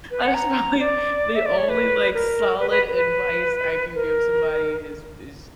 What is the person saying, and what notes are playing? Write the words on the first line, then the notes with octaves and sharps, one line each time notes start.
That is probably the only, like, solid advice I can give somebody is is
B4
F#5
A#5
D5
E5
D5
C#5
B4
A#4
B4
B4
B4
A#4